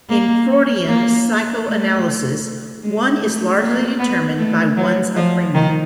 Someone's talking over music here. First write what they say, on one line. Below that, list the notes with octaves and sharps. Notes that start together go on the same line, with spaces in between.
In Freudian psychoanalysis, one is largely determined by one's upbringing.
A#3
A#3
A3
G#3
A3
A#3
B3
A3
F#3
F3
D#3